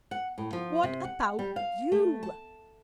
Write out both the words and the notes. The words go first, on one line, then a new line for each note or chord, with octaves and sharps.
What about you?
F#5
A2
F3
C3
F#5
G3
F5
A3
A5